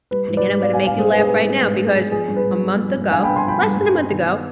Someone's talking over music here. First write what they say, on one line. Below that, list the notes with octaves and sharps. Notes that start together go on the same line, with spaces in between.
but again, I'm gonna make you laugh right now, because a month ago, less than a month ago,
G3 B4
G#2
B4 D5
G#2
B3 D5 F5
F5 G#5
G3
F5 G#5
G#2 G#4 C5
G#2 B4
G#4
B3 B4
G3
G#2 B4
G#2
G#4
B3
F3 G#4
G2
B4
G2
B3
F3
G2
G2 F5 G#5
G5 B5
B3
G#5 C6
F3 G5 B5
G2
G2
B3
D#3
B3